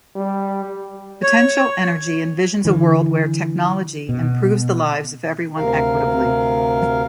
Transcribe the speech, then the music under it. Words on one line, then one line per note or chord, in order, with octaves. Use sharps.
Potential Energy envisions a world where technology improves the lives of everyone equitably.
G3
C#5
D3 E3
B2
D2 C3 A#4 F5